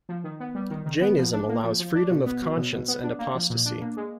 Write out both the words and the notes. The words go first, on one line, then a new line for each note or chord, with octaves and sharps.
Jainism allows freedom of conscience and apostasy.
F3
D#3
B3
G3
D#3
D#3
B3
F3
D4
A#3
F3
F3
D4
B2
B3
F#3
B2
B2
B3
D4
A#3
F3
A#2
D4
A#3
G#3